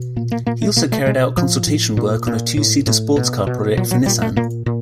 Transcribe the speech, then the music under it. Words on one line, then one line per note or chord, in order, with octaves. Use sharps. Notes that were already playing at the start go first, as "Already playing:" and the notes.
He also carried out consultation work on a two-seater sports car project for Nissan.
Already playing: B2
A#2 A#3
A#3
A#2 A#3
A3
B2 A#3
A3
B2 G#3
A2 F3
A2
A#2
A#2
A2
A2
B2
B2
A#2 F#3
F#3
A#2 G3
A3
A#2 A#3
A#2